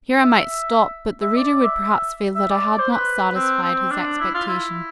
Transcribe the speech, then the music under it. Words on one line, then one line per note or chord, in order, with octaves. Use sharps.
Here I might stop; but the reader would perhaps feel that I had not satisfied his expectations.
E5
E5
D5
E5
E5
D5
C5
B4
C4
C4
D4
E4
F4
E4